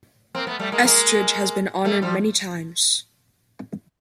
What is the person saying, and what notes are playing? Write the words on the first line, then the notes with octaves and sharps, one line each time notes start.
Estridge has been honored many times.
A#3 C4
A3 B3
G3 A3
G#3 A#3
G#3 A#3
G3 A3
F3 G3